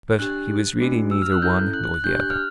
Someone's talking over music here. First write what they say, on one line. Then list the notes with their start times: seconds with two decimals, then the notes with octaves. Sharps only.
But he was really neither one nor the other.
0.19 D4 G4 F#6
0.81 A3 D4 F#4
1.11 E6
1.22 F6
1.32 F#6
1.42 C#4 E4 A4 G6
1.73 F#6
1.84 F#6
1.94 F#6
2.04 D4 G4 G6
2.20 F#6
2.30 F6